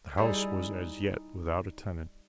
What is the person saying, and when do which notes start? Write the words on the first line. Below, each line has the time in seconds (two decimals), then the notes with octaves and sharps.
The house was as yet without a tenant.
0.18 G3 D#4 E4 G#4